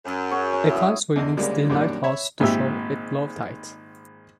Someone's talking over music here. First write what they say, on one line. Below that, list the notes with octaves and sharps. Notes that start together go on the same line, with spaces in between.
A causeway links the lighthouse to shore at low tide.
F#2
F#4 G#4 C#5
C#4
E4 D#6
E2 D3 D#5
D2 C#3 G3 G#3 A#3 D5
F#2 A#2 D#3 G3 D4
C#5 E5 B5
G#1 A#2 G4 E5 E6